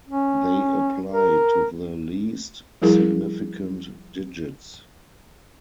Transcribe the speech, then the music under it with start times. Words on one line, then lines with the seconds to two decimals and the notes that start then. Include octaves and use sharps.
They apply to the least significant digits.
0.09 C#4
1.12 A#4
2.82 F3 G3 E4 G#4 A#4